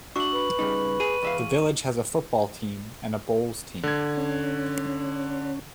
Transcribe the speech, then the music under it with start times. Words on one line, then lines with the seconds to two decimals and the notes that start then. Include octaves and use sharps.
The village has a football team and a bowls team.
0.16 D4 F#4 E5 C#6 F#7
0.34 B4
0.59 C#3 G3 D#4
1.00 G#4 D#7
1.23 E2 E5 F5
3.83 D3 G#6
4.17 C#4